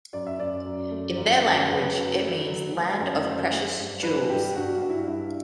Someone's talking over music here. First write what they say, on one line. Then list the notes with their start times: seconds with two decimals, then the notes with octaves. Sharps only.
In their language it means "land of precious jewels".
0.13 F#2 D5
0.27 E5
0.39 F#2 D5
0.65 F#2
0.91 A3
1.17 F#2
1.44 F#3
1.70 F#2 B4
1.95 F#3
2.22 A3
2.48 F#3
2.73 F#3
2.99 F#2
3.25 A3 C5
3.51 A3
3.77 G2
4.03 F#3 B4
4.29 G2 G4
4.55 G2 F#4
4.81 G2 F#4
4.90 E4
5.07 G2 E4